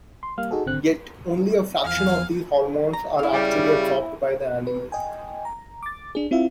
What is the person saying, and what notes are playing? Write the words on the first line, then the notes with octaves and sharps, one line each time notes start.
Yet, only a fraction of these hormones are actually absorbed by the animal.
C6
G3 A#3 F5 F6
D#4 F#4 G#4 A4
G#1 D3 C4 F#6
E2 F3 F5 G#5
A#5
E4 F5
C#3 G3
B4
D#5 G5 G#5
A#5
D6 A6
D4 G#4
C4 E4 F4 E5 F5